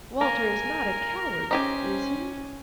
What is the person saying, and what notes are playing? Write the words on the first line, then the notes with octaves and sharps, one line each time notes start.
'Walter is not a coward, is he?'
A#3 A#4 G#5
C#4 D#4 G4 C5 G#5